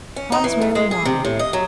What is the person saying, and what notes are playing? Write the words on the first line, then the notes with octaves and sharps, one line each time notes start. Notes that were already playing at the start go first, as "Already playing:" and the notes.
Hans merely nodded.
C#4
D#4
E3
G#2
G#3
G#4
C3
A2
D#5
F#3